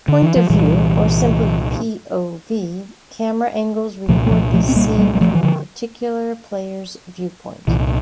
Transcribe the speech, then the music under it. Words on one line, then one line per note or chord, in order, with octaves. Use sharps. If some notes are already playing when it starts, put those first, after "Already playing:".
Point-of-view, or simply p.o.v., camera angles record the scene from a particular player's viewpoint.
D3
E3
F3
C2 A#2 E3 G3
C2 A#2 F3 A3
A#3
F3 A3
F3 A3
C4
G3 A#3
G3 A#3
G3
F3 A3
E3
D3 F3
C2 A#2 E3